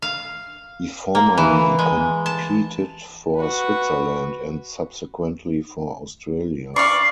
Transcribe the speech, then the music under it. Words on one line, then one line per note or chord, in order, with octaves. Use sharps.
He formerly competed for Switzerland, and subsequently for Australia.
F5
A#3
E3
G#3
A5
F#4 B4
D5 F5 C#6 C7